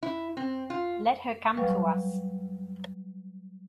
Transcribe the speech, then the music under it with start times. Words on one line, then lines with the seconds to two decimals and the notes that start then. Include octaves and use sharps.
Let her come to us.
0.03 E4
0.37 C4
0.70 F4
1.57 F#3 G3 B4 F5 C#6